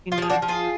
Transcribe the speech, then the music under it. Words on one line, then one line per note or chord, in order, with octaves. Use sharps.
you need t"
F4
F3 G#4
D4 F#4
F3
F4 G#4